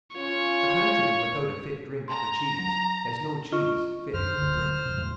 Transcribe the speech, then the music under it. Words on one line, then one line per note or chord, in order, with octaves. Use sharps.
A country without a fit drink for cheese has no cheese fit for drink.
C#4 F4 C#5
A#5 C6
F#3
F4 D#5 C#6
F#2 D#3 C5 F6
D1 D3
D3 F#3
F2 C3
E2 A2 F#3